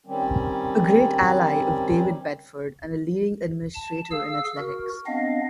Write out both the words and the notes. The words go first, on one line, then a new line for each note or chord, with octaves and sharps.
A great ally of David Bedford and a leading administrator in athletics.
D#3 G3 C4 C#4
A5
G#4 F5 E6
F#4 A#4
B3 C4 D4 D#5 F5